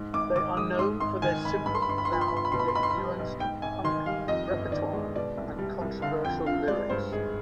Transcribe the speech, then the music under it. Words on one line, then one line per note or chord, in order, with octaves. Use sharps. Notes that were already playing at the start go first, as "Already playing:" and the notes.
They are known for their simple, loud, yet nuanced punk repertoire, and controversial lyrics.
Already playing: G#2
G#1 D6
D#3 D6
G#3 D#6
G#2 C6
G#1 C6
D#3 G#5
G#1 B5
G2 B5
C6
B5
G1 C6
B5
C6
F3 B5
C6
B5
G1 C6
B5
B2 C6
B5
C6
B1 B5
C6
B5
G3
B1
G#2 G5
G#1 G#5
D#3 C6
G3 F5
F2 D#5
G1
D#3 D5
G#3
B2 D5
C2
G3
C2
D3 F5
F2 G5
F3 F5
G#3 D5
G2 C5
G#1 G#4